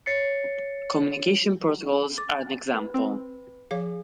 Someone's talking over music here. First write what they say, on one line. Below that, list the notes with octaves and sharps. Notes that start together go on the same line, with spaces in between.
Communications protocols are an example.
C#5 A6 C7 C#7
D6 A6
B4
C4
F3 G#4 C#5 F5